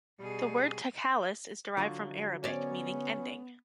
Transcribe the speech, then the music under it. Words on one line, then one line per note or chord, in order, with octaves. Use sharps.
The word "takhallus" is derived from Arabic, meaning "ending".
B2 G3 G#4
D3 F#3 F4
B3 C#4 C#5 D5